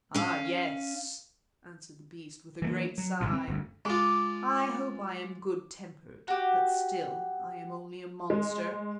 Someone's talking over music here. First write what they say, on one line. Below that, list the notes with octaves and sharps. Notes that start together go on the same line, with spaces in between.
"Ah! yes," answered the beast, with a great sigh; "I hope I am good-tempered, but still I am only a monster."
C#4 F5
E3 G3 A#3
F#3
G1 G#2 B2
C4
G1 D2
G#3 F4 D6
F#4 G4
G#3